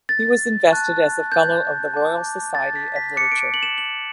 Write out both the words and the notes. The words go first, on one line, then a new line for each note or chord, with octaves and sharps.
He was invested as a Fellow of the Royal Society of Literature.
A6
A5 C#6 F#6
G6
A5 D6 G6
A6
B6
B6
A5 D6 F#6 C#7
D7
F#7
E7
F#7